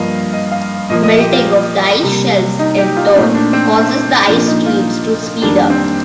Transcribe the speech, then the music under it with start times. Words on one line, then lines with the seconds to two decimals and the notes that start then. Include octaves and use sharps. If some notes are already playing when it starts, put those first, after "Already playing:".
Melting of the ice shelves in turn causes the ice streams to speed up.
Already playing: G2 F3 A#3 D#5 F5
0.33 D#5
0.52 F5
0.89 A#2 F3 A#3 D#5
1.03 D#5
1.18 G4
1.33 F4
2.03 C3 G3 A#3
2.59 D#4
2.78 G4
2.97 F4
3.15 A#2 A3 C4 D#4
3.34 D4
3.53 C4
4.28 A#2 F3 A#3 D4
4.47 D#4
4.66 F4
5.41 F2 D#3 G3 A#3 D4
5.70 C4